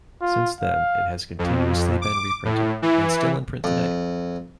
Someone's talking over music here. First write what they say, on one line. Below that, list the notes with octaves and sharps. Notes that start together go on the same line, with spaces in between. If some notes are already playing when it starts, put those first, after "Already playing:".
Since then, it has continuously been reprinted and still in print today.
F4
F5
F2
D6
A2
E3
F2